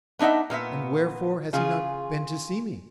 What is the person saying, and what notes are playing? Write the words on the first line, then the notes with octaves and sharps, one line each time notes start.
"And wherefore has he not been to see me?"
B3 D4 D#4 E5 F#5
A#2 B3 E4 E5
C#3 F4 G#4